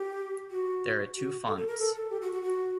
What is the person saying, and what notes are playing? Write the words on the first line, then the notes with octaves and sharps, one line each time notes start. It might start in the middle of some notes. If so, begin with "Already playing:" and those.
There are two fonts.
Already playing: G4
F#4
F#4
A4
A4
A#4
A4
A4
G4
F#4
F#4
F#4